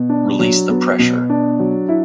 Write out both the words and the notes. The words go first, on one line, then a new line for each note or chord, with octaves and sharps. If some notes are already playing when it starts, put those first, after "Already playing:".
Release the pressure.
Already playing: B2
D4
F#3
B3
B2
D4
F#3
E4